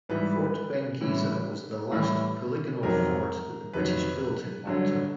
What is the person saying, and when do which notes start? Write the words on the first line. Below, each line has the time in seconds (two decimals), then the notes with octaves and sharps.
Fort Benghisa was the last polygonal fort that the British built in Malta.
0.09 G#2 E3 G3 B4
1.01 A2 E3 G3
1.91 A2 E3 G3
2.83 F2 C3 D#3 F#3 A#4
3.73 F2 C3 D#3 F#3 B4
4.65 G2 D3 F#3